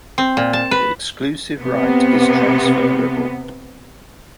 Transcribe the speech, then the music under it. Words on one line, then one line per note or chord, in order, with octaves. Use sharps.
The exclusive right is transferable.
C4
A#2
A5
B4
C3 B3